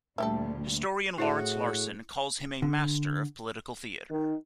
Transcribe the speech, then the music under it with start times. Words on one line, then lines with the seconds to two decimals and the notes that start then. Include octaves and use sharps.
Historian Lawrence Larsen calls him "a master of "political theater.
0.18 D2 A#2 G3 E4 G4 A4
1.18 A2 E4 F#4 G#4 C5 E5
2.62 D3
4.11 D#3